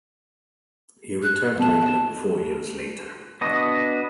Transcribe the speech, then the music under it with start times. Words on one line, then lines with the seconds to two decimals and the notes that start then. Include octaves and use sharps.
He returned to England four years later.
1.23 F#6
1.59 B3 A5
3.41 B3 D4 F#4 D#5